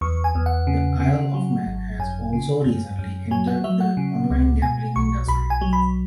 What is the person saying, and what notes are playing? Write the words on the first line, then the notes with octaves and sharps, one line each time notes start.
The Isle of Man has also recently entered the online gambling industry.
E2 C#6
G#5
E2
F#5
C#3
C#3
F#3
G#1
F#2 G#5
C#3
F#2
F#2
F#3 G#5
F#5
F#3 E5
F#5
C#3
C#2
B2 G#5
B1 C#6
B1 B5
G#5
F#3
B5